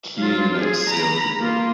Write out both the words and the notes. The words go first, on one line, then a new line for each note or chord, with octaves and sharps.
"Keying" next sailed to Britain.
F#3 F4
G#4
A#5 B5
A#3 F4